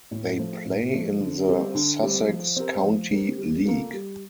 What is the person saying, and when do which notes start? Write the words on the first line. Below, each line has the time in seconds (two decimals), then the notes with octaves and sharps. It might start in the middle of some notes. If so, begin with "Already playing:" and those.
They play in the Sussex County League.
0.11 A2
0.39 F3 A3
0.66 A2
0.93 F3 A3
1.21 D3
1.48 G3 C4
1.75 D3
2.02 G3 C4
2.29 F3
2.56 C4 G4 A#4
2.84 F3
3.11 C4 G4 A#4
3.38 G3
3.66 A#3 F4 A4
3.93 G3